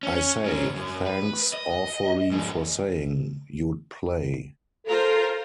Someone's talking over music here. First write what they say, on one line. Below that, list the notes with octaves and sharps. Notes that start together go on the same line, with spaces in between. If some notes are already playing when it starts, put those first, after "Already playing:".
I say, thanks awfully for saying you'd play.
C#4
G#2 C#4
F#2
B4
D#5
G#2 F3
F4 A4 A#4 C5